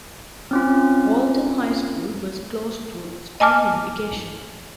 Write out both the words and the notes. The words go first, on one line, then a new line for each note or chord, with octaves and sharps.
Walton High School was closed through school unification.
C4 C#4 F4
D#5 G#5 A5 D6 F6